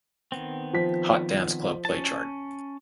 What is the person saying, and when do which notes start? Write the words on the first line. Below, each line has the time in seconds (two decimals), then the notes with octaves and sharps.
Hot Dance Club Play chart.
0.32 D#3 B3 C4
0.73 F3 B6
1.85 C#4 A5